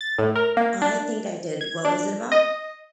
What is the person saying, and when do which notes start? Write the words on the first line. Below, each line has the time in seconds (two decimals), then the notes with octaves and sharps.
I think I did. What was it about?
0.01 A6
0.18 A2
0.36 A#4
0.57 A#3
0.82 D4
1.61 G#6
1.85 D4
2.32 D#5